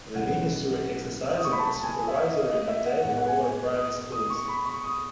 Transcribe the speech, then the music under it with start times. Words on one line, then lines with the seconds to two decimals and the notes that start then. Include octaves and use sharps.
The ministry exercises a supervisory mandate over private schools.
0.15 B1 A2 G#3 C#4 E4 F#5
1.37 D#6
1.45 C#6
1.52 B5
1.59 A5
1.83 G#5
2.08 E5
2.32 D#5
2.50 D#5
2.68 E5
2.85 F#5
3.04 A2 G#3 B3 F#5
3.17 F#5
3.27 G#5
3.76 D#6
4.12 D#6
4.30 C#6
4.48 B5
4.66 C#6
4.84 D#6